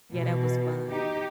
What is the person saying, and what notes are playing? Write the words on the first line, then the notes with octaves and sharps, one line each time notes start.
yeah, that was fun,
B2 E3
D#4 G4